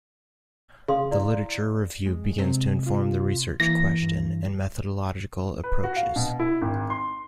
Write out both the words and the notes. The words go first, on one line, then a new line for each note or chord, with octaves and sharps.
The literature review begins to inform the research question, and methodological approaches.
C#3 F5 C6 D#6
E4 D5
G#3
C3
F4
E3 A#3 A#6
G2
B4
F#4
F5
B2
E4
G#1
C6